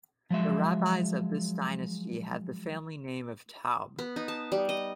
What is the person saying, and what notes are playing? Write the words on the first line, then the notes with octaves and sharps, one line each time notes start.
The rabbis of this dynasty have the family name of "Taub".
F3 F#3 G#3 E5
B3
D#4
A5
G3
D#5